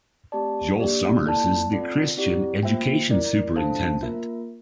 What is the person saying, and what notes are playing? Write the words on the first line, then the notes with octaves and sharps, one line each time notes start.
Joel Summers is the Christian education Superintendent.
A3 C4 G4 D5 A5
A#3 D4 G4 D5
A#3 E4 A4 D5 A5
C4 F4 A4 D5
C4 E4 G4 D5
A#3 F4 C5 E5 G5
E4 A#4 D5
D4 A4 C5 F5 A5
A#3 F4 A#4 E5